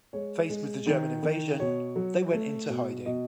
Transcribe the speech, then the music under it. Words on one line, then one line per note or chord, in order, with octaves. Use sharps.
Faced with the German invasion, they went into hiding.
G#3 C#5
G#3
D#3
D#3
B2 C#5
F#3
A3
B2
B2 D#5